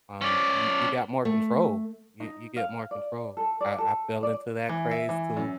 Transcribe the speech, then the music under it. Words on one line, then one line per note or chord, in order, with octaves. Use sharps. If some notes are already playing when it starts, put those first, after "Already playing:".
Um, you you got more control. You you get more control. I I fell into that craze too,
C#4 D5
A3
D#4
F5
D5
A4
D5
A4
D5
E3
E5
E3
F#2